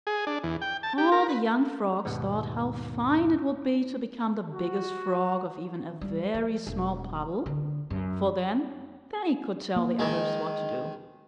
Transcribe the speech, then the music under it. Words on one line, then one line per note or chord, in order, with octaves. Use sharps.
All the young Frogs thought how fine it would be to become the Biggest Frog of even a very small puddle, for then they could tell the others what to do.
G#4
D4
E2
G5
A5
G4
A#4
B4
D#2 G#2 B2 B3
F#4
G3
F3
E1
D3
F#2
A#3
D#3 G#3